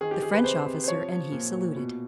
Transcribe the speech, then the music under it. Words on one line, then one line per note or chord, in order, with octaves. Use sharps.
The French officer and he saluted.
D#3 G#4
G4
D#3 G#4
B4
C3 C5
C3
C5
F3 C#5
F3
A#2
A#2
B2